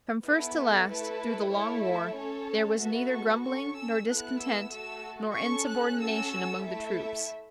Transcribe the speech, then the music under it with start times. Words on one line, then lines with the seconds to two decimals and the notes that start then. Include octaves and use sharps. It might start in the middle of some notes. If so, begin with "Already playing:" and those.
From first to last, through the long war, there was neither grumbling, nor discontent, nor insubordination among the troops.
0.24 B3 E4 A4 B4
0.56 A4
0.88 A3 E4 A4 B4
1.52 A3 E4 A4 C#5
1.84 E5
2.16 C#4 A4 C#5
2.79 B3 F#4 A4 E5
3.12 C#6
3.43 C#4 A4 C#6
3.76 E6
4.08 B3 E4 A4 F#6
4.39 E6
4.71 A3 F#4 A4 E6
5.35 C#4 A4 C#6
5.68 F#6
5.99 C#4 F#4 A4 E6
6.63 A3 E4 A4 E5